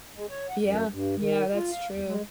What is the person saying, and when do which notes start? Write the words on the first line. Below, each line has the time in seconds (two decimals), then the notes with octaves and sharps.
Yeah. Yeah, that's true.
0.15 G#3
0.29 C#5
0.49 F#5
0.60 F#2
0.91 G2
1.17 D#3
1.54 F4
1.71 F5
1.93 E2
2.05 G#3